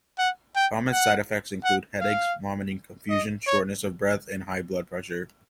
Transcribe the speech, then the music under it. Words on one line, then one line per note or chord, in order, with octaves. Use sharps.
Common side effects include headache, vomiting, confusion, shortness of breath, and high blood pressure.
F#5
G5
F#5
F#5
F5
D#5
C#5